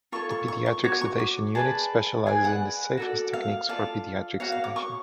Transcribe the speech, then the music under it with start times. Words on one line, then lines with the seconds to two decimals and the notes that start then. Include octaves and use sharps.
The pediatric sedation unit specializes in the safest techniques for pediatric sedation.
0.12 F4 A4 C#5 C#6
0.30 C#6
0.48 C#6
0.66 C#6
0.84 F#4 C#5 D6
1.01 C#6
1.19 D6
1.55 G#4 B4 D5 A5
2.26 G#4 B4 D5 G#5
2.44 F#5
2.97 F#4 A4 D5
3.34 F5
3.69 F4 A4 D5 F5
4.40 F#4 C#5 F5
4.52 F5
4.64 D6
4.76 C#6